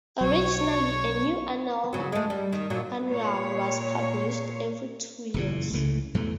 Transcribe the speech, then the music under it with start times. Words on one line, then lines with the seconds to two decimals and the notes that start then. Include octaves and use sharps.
Originally a new annual was published every two years.
0.21 B1 F#3 C#5 C#6
1.93 C#3 F#3
2.12 G#3 A3
2.30 G3
2.52 D#3
2.70 A#2 F#3 A#3
3.08 A#2 C#5
5.34 F#1 A#2 E3
5.73 C#2 C#3 E3 A3
6.15 E2 E3 A3